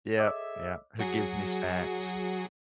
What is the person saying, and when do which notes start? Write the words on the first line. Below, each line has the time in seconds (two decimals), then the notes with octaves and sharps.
Yep. Yep. "Who gives me snacks,"
0.17 G#4 A4 C#5 D#5 E5 D6
0.99 F#3 F#4 G#4